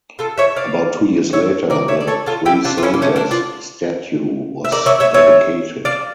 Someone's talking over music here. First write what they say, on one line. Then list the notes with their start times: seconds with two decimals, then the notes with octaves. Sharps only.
About two years later the Three Soldiers statue was dedicated.
0.19 F4 A4
0.38 C#5 E5
0.57 D5 F5
1.33 C#5 E5
1.70 A#4 D5
1.88 C#5 E5
2.01 D5
2.07 A4 C#5
2.26 F4 A4
2.46 E4 G4
2.65 D4 F4
2.78 F4
2.83 C#4 E4
2.94 A#3
3.02 A3 C#4
3.16 A#3 D4
3.31 D4 F4
4.65 E5
4.72 A#4 D5
4.86 C#5 E5
5.00 C#5 E5
5.14 C#5 E5
5.85 D5 F5